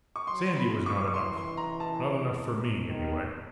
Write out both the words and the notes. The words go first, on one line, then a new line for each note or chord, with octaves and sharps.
Sandy was not enough; not enough for me, anyway.
C#6
F#3 C6
B5
F3
C#6
C#6
E3 C6
C6
A#5
A5
D#3